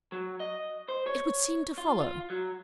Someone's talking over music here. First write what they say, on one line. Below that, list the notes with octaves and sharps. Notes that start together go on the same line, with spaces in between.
'It would seem to follow.'
F#3
D#5
C5
C#5
F4
F4
F#3